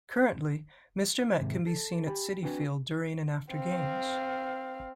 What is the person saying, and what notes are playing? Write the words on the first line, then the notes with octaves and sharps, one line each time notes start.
Currently, Mr. Met can be seen at Citi Field during and after games.
D#2 G#2 C3
A4
G4 G#5 B5
C4 D4 F#4 B4 G#5
C4 F5